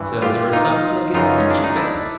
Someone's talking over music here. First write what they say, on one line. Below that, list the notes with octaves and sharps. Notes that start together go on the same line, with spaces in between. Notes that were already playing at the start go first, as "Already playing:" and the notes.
So there was something against each of them.
Already playing: G2 E3
F4 G4
D#4 F4
F#2 C#3 E3 D#4 F4
C#4
D4
D#4
D4 E4